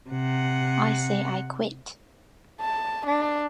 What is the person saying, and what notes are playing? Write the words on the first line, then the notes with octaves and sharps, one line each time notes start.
I say I quit.
C3 F#5
A5
D4